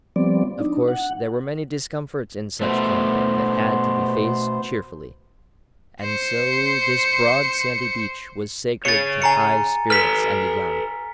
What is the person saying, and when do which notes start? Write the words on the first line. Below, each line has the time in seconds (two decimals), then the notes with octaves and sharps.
Of course there were many discomforts in such camping that had to be faced cheerfully, and so this broad sandy beach was sacred to high spirits and the young.
0.16 F3 G3 B3 C4 D5
0.60 D4 D#4
0.88 F#5
2.61 B2 A3 B3 C5
6.02 C5 C#7
8.85 G#4 C#5 A6 C#7
9.22 G#5 A#5 C#7
9.90 A4 B4 F6 B6